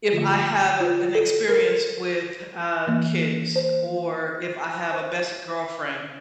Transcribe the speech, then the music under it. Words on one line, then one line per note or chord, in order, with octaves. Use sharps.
if I have, uh, an experience with, uh, kids or if I have a best girlfriend,
D3 F3 A3 F4
F4
A4
A#4
E3 A#3
C5
C5